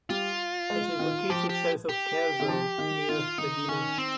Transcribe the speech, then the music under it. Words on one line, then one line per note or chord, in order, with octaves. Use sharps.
It is located south of Kerrville near Medina.
G3 F4
G#3
D#3
F3 G4
G4
G4
D#3
F3
D#3
D#3 F4
D#3 D#4
D#3 C#4
C4